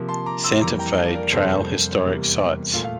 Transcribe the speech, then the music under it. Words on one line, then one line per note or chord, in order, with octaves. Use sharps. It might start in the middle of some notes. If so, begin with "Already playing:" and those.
Santa Fe Trail Historic Sites.
Already playing: C3 F3 A#3
A5 C6
A#5 D6
C6 E6
F2 E3 G3 A#3 A#5 D6
G5 A#5
F5 A5
A#4 D5
F2 C3 G3 A#3 A4 C5
E2 C3 G3 A#3
A#2 A3 F4
F5